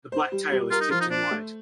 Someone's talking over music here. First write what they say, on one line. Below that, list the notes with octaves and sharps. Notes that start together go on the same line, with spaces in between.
The black tail is tipped in white.
C5
G3
G3
F4 A#4
D#4
F3 F4
D#4
D4 C5
A3